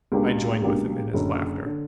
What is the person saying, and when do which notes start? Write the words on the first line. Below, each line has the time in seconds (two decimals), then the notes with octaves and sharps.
I joined with him in his laughter.
0.12 C#2 B2 A#3 D4 G4
0.62 C#2 B2 A#3 D4 G4
1.14 F#1 F#2 D3
1.66 D3